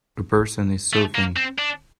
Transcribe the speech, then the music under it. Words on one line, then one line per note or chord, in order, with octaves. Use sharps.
A person is surfing.
A3
A#3
C4
D4